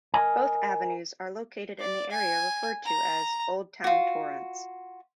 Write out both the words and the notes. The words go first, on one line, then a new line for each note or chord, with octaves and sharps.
Both avenues are located in the area referred to as Old Town Torrance.
A#4 D#5 G#5
D5
G#5
A#5
F4 F#4